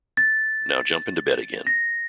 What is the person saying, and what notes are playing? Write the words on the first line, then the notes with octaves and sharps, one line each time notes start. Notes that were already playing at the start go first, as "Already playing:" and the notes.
Now jump into bed again.
A6
A#6